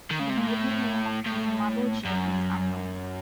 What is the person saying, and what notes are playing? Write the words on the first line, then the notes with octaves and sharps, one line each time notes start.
The maiden name of his mother Jane is unknown.
D#3
C#3
C3
A#2
A2
A2
F#2